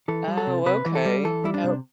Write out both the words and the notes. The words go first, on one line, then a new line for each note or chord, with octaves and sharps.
Oh, okay. Oh,
E3 A4
G3
A4
C3
C3 B4
E3
A4
G3
E3 A4
G3 E4
D4
C3